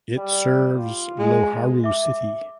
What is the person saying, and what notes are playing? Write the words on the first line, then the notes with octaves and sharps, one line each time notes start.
It serves Loharu city.
G3
F4
G#3
E5 D6